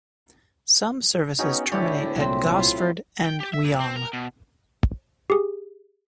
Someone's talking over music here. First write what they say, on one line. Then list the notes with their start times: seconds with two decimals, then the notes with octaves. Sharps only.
Some services terminate at Gosford and Wyong.
1.39 B3 C#4 D#4 F#4 G#4 G5
1.72 A2 D3 E4 G4 C#5 D5
2.16 C2 A#2 F#3 C4
2.56 E4 F4
3.26 G5
3.40 G4
3.53 E5
3.65 A#2
3.80 C4
3.96 A#4
4.13 B2
5.30 G4 G#4